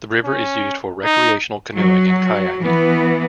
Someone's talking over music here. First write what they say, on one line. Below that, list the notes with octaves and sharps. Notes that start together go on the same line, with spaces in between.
The river is used for recreational canoeing and kayaking.
C#4
D#4
F#3
E3 B3